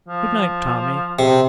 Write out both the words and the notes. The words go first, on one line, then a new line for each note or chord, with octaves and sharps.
Good-night, Tommy!'
F3
C3